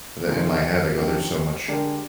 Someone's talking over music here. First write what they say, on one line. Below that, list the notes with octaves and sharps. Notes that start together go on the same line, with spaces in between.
that in my head, I go "There's so much
C3 D#3 G#3 D#4
F2 D#3 G3 D4 G4
D3 G#3 D4 G4 A#4